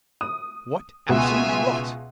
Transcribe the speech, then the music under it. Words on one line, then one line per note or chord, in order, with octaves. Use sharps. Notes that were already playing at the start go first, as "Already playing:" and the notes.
'What absolute rot!
D#6
C#2 B2 F4 E5 G#5